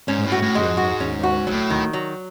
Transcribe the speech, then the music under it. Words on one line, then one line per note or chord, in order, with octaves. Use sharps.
No, I feel nothing at all about that.
G#2 C#4
A2
F#4
A2
G#2 G#3
F#4
C#4
F#4
A2 F#3
D#3
F#3